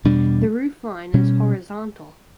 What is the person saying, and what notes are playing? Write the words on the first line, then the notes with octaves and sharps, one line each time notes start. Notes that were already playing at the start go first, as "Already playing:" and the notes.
The roofline is horizontal.
E2 B2 G3 D4
B2 G3 C#4